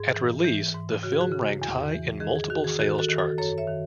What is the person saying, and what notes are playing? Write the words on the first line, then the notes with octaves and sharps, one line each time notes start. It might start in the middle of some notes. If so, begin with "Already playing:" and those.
At release, the film ranked high in multiple sales charts.
Already playing: G#2 G#4
E3
E3
G#2
C#3 F#4
G#4
F#4
C#3
E2
E3
D#3 G#4
G#4
D#3 F#4
G#4
D#3 F#4 A4
F#4 A4
D#3
F#4 A4
F#2 A4 C#5
C#5 E5
D#3